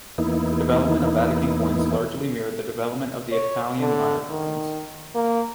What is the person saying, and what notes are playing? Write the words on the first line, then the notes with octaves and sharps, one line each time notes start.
The development of Vatican coins largely mirrored the development of the Italian lire coins.
E2 E3 A#3 B3 D#4 E4
C#5
D3
D#3
A#3